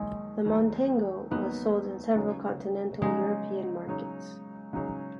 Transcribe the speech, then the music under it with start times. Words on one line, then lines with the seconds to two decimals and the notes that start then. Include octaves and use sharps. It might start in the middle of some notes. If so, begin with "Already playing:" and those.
The Montego was sold in several continental European markets.
Already playing: D#2 D#3 F#3 G#3
0.45 D#2 D#3 F#3 D#4
1.31 D#2 D#3 F#3 B3 D#4
2.16 C#3 F#3 D#4 G#4 C#5
3.02 C#3 F#3 G#3 D#4 G#4 C#5
3.87 C#3 F#3 D#4 G#4 C#5
4.73 C#3 F#3 D#4 G#4 C#5